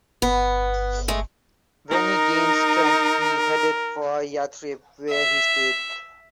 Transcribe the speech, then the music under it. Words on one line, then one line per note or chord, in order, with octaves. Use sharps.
When he gained strength, he headed for Yathrib, where he stayed.
G1 B3
G#3 A3
D#4 A#4
E5